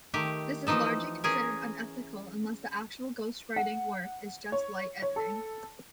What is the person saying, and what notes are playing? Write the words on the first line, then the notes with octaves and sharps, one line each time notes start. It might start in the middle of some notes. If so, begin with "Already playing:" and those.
This is largely considered unethical unless the actual ghostwriting work is just light editing.
D#3 A3 G4
E3 F3 D#4 A4
E3 C#4 G#4 A#4
F#5
C#5
C#5
A4